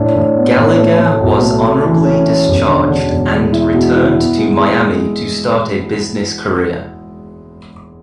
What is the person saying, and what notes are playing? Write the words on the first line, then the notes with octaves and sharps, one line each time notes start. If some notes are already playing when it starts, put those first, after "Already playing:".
Gallagher was honorably discharged and returned to Miami to start a business career.
Already playing: A2 D4
A2
B3
A2
A3
A3
B1
A3
A3
E3
C#4
C#4
E1
D3
D3
E1
G#3
E4
B2
E4
B3
G#3
G#3